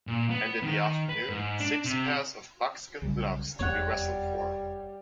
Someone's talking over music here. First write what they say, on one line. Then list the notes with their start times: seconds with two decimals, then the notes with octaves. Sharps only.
And in the afternoon six pairs of buckskin gloves to be wrestled for.
0.07 A#2
0.30 B3
0.63 D#3
1.09 B4
1.30 G#2
1.60 D4
1.85 C3
3.02 B1 C#3 G3
3.59 F1 E2 G3 B3 C#5 F#5